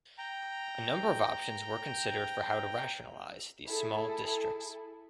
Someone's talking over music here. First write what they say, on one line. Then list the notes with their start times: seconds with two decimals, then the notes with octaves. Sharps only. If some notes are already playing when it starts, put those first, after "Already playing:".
A number of options were considered for how to rationalise these small districts.
0.18 G5 A#5
3.66 E4 G#4 A4